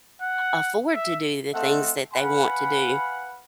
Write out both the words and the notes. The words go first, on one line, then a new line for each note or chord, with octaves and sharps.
afford to do the things that they want to do.
F#5
E5
A3 C4 A4 D#5 E5 F#5
B4 F5 F#5 G#5 B5